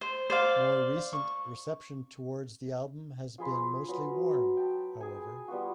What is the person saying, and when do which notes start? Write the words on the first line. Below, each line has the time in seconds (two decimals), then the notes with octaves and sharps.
More recent reception towards the album has been mostly warm, however.
0.01 C5
0.30 C5 D5 F5
1.13 C#6
3.38 F3 G#4 B5 C6
3.89 F#3 B4 A#5
4.57 G5 A5
5.01 G#4 G#5
5.48 G3 B3 F4 F#4